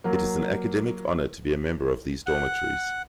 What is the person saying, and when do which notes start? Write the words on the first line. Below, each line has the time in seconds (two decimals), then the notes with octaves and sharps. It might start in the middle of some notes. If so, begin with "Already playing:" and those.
It is an academic honor to be a member of these dormitories.
0.04 F#3 A#3
2.27 F#5